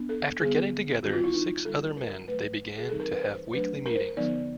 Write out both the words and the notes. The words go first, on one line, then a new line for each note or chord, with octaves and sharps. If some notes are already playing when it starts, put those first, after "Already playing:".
After getting together six other men they began to have weekly meetings.
Already playing: B3 D4
A4
D3 G3 B3 G#4
D#3 G3 C4 F#4
F4
E4
D#4
D3 G3 A#3 A4
A#4
D#3 F#3 A3 B4
G#4
E3 G3 C4 D#4 A4
A#4
B4
C5
F#3 A3 D4 B4
A#4
C5
D3 F3 G#3 B3 D#4 D5